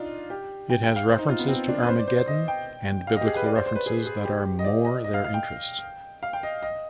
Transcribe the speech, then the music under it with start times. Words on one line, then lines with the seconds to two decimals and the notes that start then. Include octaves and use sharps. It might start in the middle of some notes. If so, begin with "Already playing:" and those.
It has references to Armageddon and biblical references that are more their interest.
Already playing: D4 D#4 F4
0.30 G4
0.70 G5
0.83 G5
0.96 F5
1.08 C5
1.19 D#4
1.29 F4
1.39 B3
1.48 C4
1.68 D4
1.83 B4
1.89 C5
1.98 D5
2.08 C5
2.18 C5
2.28 D#5
2.48 G5
3.07 F5
3.17 D#5
3.21 G4
3.27 G#4
3.36 B4
3.46 D5
3.55 C5
3.66 C5
3.76 B4
3.86 G#4
4.06 G#4
4.25 G4
4.59 D#5
4.64 D5
4.85 D#5
5.04 D#5
5.14 F5
5.24 F5
5.34 G5
6.23 F5
6.33 G5
6.43 D#5
6.62 D#5